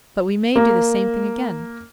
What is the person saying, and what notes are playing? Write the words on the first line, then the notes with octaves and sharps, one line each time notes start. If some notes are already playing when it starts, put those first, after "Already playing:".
But we may do the same thing again.
A#3